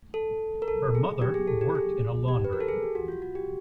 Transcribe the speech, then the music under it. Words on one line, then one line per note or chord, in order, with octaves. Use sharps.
Her mother worked in a laundry.
A4
A#4
A4
G#4
G4
G#4
A4
G4
G#4
G4
B4
A#4
A4
G#4
G4
F#4
F4
F#4
G4